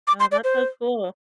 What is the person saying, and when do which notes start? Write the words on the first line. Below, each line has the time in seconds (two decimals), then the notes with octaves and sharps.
Oh, that's so cool.
0.08 D6
0.20 C6
0.32 D5
0.44 C5